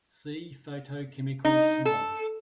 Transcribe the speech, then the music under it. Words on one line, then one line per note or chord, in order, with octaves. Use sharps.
See photochemical smog.
D#4
A4